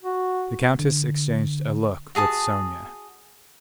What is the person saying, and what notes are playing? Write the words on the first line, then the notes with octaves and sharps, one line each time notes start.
The countess exchanged a look with Sonya.
F#4
D3
F#4 G#4 A5 D#6